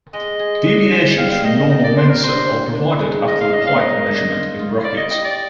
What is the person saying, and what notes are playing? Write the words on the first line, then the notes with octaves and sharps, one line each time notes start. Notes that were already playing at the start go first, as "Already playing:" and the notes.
Deviations from Normalmensur are provided after the pipe measurement in brackets.
G#3 D#5
G#4
D4
G#3
G3 F5
F5
D#3 D#5
D#5
D#3 D#5
D5
C3 C5
A#4
D4 C5
A#2
D4
G#3
F4 D#5
F5
D4 D#5
F5
A#4 D#5
D4
F4
F4
F4 D5
D#5
G3 D#5
D5